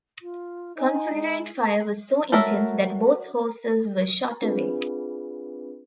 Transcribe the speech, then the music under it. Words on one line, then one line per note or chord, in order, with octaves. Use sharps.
Confederate fire was so intense that both hawsers were shot away.
F4
D#4 G#5
G#3
F#3 A4 A#4 E5
C4 D4 F4 G#4 B4